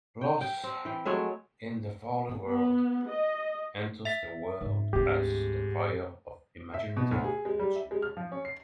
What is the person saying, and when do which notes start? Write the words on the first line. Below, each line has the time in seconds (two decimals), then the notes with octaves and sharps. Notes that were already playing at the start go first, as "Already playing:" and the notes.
Los, in the fallen world, enters the world as the fire of imaginative energy.
0.21 G5
0.41 G5
0.63 C4
0.85 E3 G5
1.05 F#3 G#3 A3 C#5
2.46 B3
3.07 D#5
4.05 E5 A6 B6
4.61 G#2
4.93 D2 G#2 C4 G4
6.74 E5
6.97 B2
7.11 D2
7.24 G#4
7.45 G#3
7.59 G3
7.76 E5
7.91 G#3
8.02 F6
8.17 F3
8.32 C#4
8.45 C7